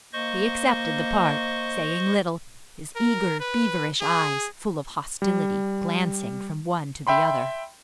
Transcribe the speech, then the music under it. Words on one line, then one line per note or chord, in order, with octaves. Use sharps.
He accepted the part, saying little, his eager, feverish eyes, full of hostility, glancing from one to the other.
A#3 C5 D#5 C#6
A#4
B4
G#4
G3
E5 G5 B5 C6